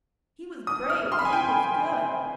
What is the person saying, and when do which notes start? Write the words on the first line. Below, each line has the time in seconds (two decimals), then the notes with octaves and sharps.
"He was brave, he was good!"
0.67 D#6
0.90 F6
1.12 C6
1.19 B5
1.25 G#5
1.33 G5